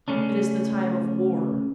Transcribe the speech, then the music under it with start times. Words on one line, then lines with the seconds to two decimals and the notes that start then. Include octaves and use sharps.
It is the time of war.
0.08 C#3 A3 C#4 D4